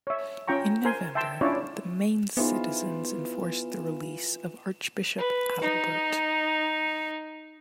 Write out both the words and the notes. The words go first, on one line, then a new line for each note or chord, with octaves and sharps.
In November, the Mainz citizens enforced the release of Archbishop Adalbert.
C#5 E5
C#4 F4 G5 A#5 C#6
A#4 C5 G#5 C6
E5 G5 A5 C6 E6
C#4 D4 E4 F4 C#5 D5
E3 B3 D#4 F4 G#4 C5
B4
D#4